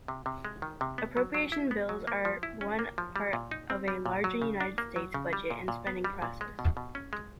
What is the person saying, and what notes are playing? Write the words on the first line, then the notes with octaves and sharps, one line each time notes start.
Appropriations bills are one part of a larger United States budget and spending process.
C3
C3
G#3
D#3
C3
B3
F#3
F#3
E4
B3
F#3
A#3
F3
E4
C#4
A#3
F3
G3
A#2
D#4
C4
G3
A#2
F#3
C#3
D4
A#3
F#3
C#3
G3
A#2
A#2
B3
G3
A#2
G#3
B2
B2
C#4
G#3